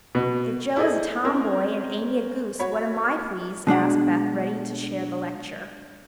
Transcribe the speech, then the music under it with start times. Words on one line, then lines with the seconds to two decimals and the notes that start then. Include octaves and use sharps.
"If Jo is a tomboy and Amy a goose, what am I, please?" asked Beth, ready to share the lecture.
0.15 B2
0.76 E4 G#4 A4 C5 D5 D#5
1.24 C4 C#4 A#4 C5
2.59 F#4 C#5 B5
3.67 B2 G#3 D4 F#5